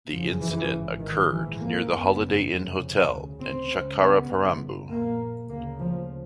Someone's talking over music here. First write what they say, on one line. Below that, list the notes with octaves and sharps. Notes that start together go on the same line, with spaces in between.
The incident occurred near the Holiday Inn hotel in Chakkaraparambu.
F#1 F2 C#3 F3
E3
G#1 G#2
D#3
A#1 G#2 E3
A#3
F#1 F#2 C#3 B3
F1 F2 C#3
D2 C#3
C4
C#2 C#3
B3
G1 F#2 C#3
A#1 A#2 A#3
D2 C#3 A#3
F3